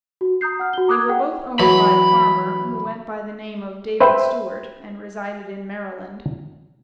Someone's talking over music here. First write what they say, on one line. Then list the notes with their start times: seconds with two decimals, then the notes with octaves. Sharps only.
They were both owned by a farmer, who went by the name of David Stewart, and resided in Maryland.
0.21 F#4
0.41 A#5 D#6 G6 C7
0.59 F#5 F6
0.73 F#4 G7
0.88 A#5 D6 D#6 F#6 G#6
1.09 G#4 F#5 G5
1.59 E3 F#3 B5
4.00 B4 C5 E5 G5